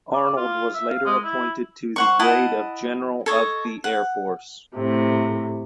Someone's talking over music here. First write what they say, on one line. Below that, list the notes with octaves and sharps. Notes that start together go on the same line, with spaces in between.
Arnold was later appointed to the grade of General of the Air Force.
D5
F4
E5
F5
G#3
E4
C5 F#5 C#6
E4 D#5 F#5 A5
A4 C#5 D#5
F#5
A2 C3